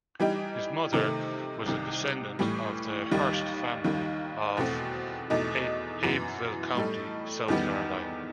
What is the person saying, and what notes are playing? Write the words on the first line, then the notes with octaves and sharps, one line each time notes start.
His mother was a descendant of the Hearst family of Abbeville County, South Carolina.
E3 G3 D#4 G4
C3 D#3 A3
C2 C3 D#3
A2 E3 G3
D#2 D#3 G3
D#2 D#3 G3
E2 B2 A3 C4 F#4
E2 B2 A3 D#4
F#2 E3 B3
A2 G3 D#4 A4
E2 D#3 G3 B3